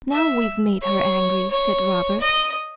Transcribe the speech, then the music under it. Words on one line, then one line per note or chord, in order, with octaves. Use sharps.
"Now we've made her angry," said Robert.
E5
C#5
C#5
D#5